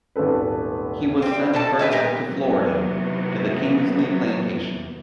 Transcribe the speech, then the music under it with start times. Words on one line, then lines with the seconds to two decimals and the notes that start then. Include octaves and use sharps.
He was sent first to Florida, to the Kingsley Plantation.
0.16 D#1 G#1 C#4 A4 B4
1.22 G3 C4
1.53 B2 A4 A5
1.79 D#4 E4 F#4 B4
1.92 A#2 G3 B3 A#4
2.24 C3 D#3 E3 F#3 A#3 B3